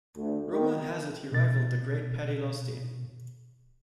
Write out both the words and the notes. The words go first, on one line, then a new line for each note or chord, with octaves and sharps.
Rumour has it he rivalled the great Paddy Losty.
D2
D#3
B2 A6